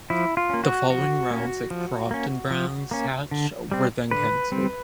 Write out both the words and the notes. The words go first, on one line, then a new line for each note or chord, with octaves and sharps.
The following rounds at Croft and Brands Hatch were then cancelled.
F3 E4
F4
A#3 C#4
F#4
F3 F#4
A#3 C#4
F3
A#3 C#4
F3
A#3 C#4
D3
G3 C4
D3 B4
G3 C4